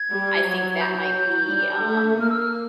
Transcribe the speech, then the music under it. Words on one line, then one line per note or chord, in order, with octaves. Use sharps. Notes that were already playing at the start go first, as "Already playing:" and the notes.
I think that might be, um,
Already playing: G#6
G3
F#3
G6
G3
A3
A#3 F6
E6
F6